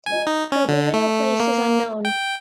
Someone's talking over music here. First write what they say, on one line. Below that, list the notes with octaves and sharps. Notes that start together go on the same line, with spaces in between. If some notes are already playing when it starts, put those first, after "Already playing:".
Her burial place is unknown.
G#5
D#4
C#4
D3
A3
A#3
G5